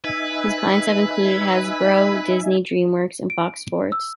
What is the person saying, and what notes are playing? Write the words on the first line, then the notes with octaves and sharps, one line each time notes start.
His clients have included Hasbro, Disney, DreamWorks and Fox Sports.
D#4 B4 E5 G#5
D7
E6